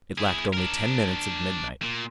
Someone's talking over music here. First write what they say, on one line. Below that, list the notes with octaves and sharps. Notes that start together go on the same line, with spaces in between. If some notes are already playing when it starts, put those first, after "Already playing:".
It lacked only ten minutes of midnight.
E4 G#4
D4 A#4
A#2